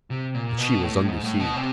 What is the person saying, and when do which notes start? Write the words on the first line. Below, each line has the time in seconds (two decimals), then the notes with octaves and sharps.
But she was undeceived.
0.10 C3
0.34 A#2
0.58 B2
0.82 A2
1.08 G#2
1.24 A2
1.40 B2
1.56 C3